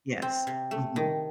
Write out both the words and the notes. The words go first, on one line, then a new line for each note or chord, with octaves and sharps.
Yes, mhm.
C4
C3
A3
D#3